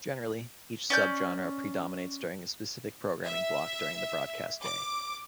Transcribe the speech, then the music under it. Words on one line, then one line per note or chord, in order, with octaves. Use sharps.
Generally, each subgenre predominates during a specific programming block during the broadcast day.
C#4 D5 G6
E5
D6